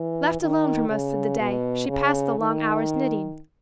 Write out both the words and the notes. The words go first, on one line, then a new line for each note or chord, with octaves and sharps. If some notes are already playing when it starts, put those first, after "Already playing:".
Left alone for most of the day, she passed the long hours knitting.
Already playing: E3
D#3
C#3
B2
C#3
D#3